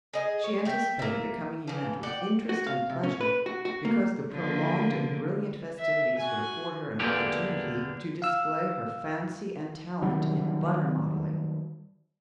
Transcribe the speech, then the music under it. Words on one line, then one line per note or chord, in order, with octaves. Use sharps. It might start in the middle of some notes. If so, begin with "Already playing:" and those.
She anticipated the coming event with interest and pleasure, because the prolonged and brilliant festivities would afford her an opportunity to display her fancy and talent in butter modelling.
G#4 D#5
C#5
E5 G5
A#3 E5
E3 F3
D5 F#5 G5
F#4
F5
C3
C#4
B4
F#4
F#4
A#3
D3 F3 A#3
E5
F#4 G#5
E2 G2 D3 A#3 G4
F5 E6 F6
D#3 F#3 G3